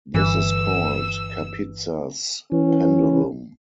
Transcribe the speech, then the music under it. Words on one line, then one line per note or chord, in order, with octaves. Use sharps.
This is called Kapitza's pendulum.
G1 E3 E6 E7
E3 C#4